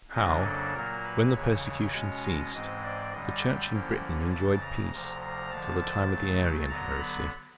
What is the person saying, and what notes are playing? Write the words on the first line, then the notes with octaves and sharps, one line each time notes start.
How, when the persecution ceased, the Church in Britain enjoyed peace till the time of the Arian heresy.
F2 C#3 F#3 A#3 D4 D#5
A4
A#2 F#3 A#3 A#4
B4
D#2 C#3 E3 C#5
B2 G#3 C#4
D#5
G#2 E3 G#3 C4
D5
F#2 D3 G3 D#5
G5
D3 F3 A#3 C#4 E4
F2 C#3 E3 A5
A#5
D2 C3 F3
A#5
D#2 D3 F3 A5
C#3 F#3 A3
D3 F#3 B3 A#5
B5